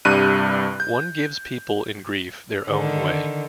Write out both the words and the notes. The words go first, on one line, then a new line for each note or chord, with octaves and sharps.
One gives people in grief their own way.
C2 G2 G3 F#6 D#7
G6
D3 D#3